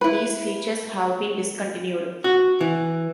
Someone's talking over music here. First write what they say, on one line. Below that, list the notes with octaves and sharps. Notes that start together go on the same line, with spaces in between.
These features have been discontinued.
E4 B4
F#4
E3